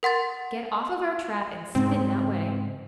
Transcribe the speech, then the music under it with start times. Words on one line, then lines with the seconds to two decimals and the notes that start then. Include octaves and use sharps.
"Get off of our trap and spin that wedding."
0.03 A#4 F#5 C6 A6
1.75 G#2 C#3 C4